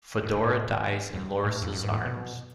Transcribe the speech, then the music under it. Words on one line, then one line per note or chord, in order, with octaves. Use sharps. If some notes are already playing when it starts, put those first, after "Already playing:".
Fedora dies in Loris's arms.
A2
G#2
A2
F#2
A2
F2
F#2
G#2
A2
B2